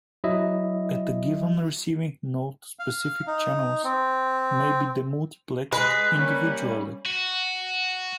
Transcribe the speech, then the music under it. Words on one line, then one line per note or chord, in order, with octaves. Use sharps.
At a given receiving node, specific channels may be demultiplexed individually.
F#3 E4 D#5 E5
F5
D#4
C4
B4 D#5 G#5
G3 A#3 C#4
F#4